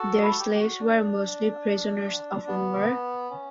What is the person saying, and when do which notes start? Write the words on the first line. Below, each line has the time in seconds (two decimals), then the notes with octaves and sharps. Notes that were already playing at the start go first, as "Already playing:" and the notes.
Their slaves were mostly prisoners of war.
Already playing: F#4 A4
0.15 D4
0.23 E4
0.30 F#4
0.39 G4
0.54 G4
0.59 F#4
0.80 D4
2.47 B3
3.31 C#4